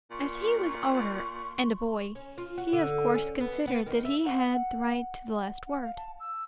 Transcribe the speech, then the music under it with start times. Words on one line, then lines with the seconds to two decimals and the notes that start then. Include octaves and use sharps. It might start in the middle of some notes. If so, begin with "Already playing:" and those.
As he was older and a boy, he of course, considered that he had the right to the last word.
0.11 A#2 C6 C#6
2.15 C#4
2.38 F4
2.58 F#4
2.73 D3
3.15 C#4
3.40 B3
3.68 B3
3.86 D#3
4.05 E5
4.26 F#5
5.66 F#5
5.82 F5
5.97 A5
6.20 E6